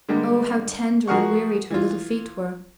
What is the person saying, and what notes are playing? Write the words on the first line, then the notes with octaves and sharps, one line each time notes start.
Oh, how tender and wearied her little feet were!
D3 G3 G#3 A#3
F3 F#4 G#4 A#4 F#5 C#6
E3 F4